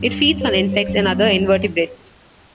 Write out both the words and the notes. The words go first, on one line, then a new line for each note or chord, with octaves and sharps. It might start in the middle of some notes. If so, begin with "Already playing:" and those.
It feeds on insects and other invertebrates.
Already playing: G2
E2
E2
C5
G3
C5
F#2 G3
B3
G3
C2